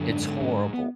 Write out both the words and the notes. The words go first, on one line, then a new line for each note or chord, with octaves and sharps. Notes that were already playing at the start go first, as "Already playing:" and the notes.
it's horrible.
Already playing: F#2 D3
G#2 D4
G#2 C#4
B3